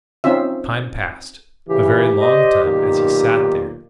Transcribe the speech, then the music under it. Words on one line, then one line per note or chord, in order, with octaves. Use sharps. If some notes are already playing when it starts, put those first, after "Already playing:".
Time passed, a very long time, as he sat there.
C4 C#4 D#4 F4 E5
A2 C#3 E3 G4
C5 D5 D#5
B1 A#2 D#3